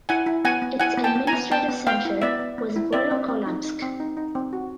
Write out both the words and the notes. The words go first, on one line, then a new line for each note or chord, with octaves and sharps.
Its administrative centre was Volokolamsk.
E4 F#5 G#5
E4
B3 F#5 G#5
B3
E4 F#5 G#5
B3
G5 A5
B3
G#5 A#5
B3
B3 G5 A5
B3
B3 F5 G5
E4
B3 D5 E5
B3
B3
E4
C4 D5 E5
C4
C4
D#4
D#4
C4
D#4
D#4
C4
F#4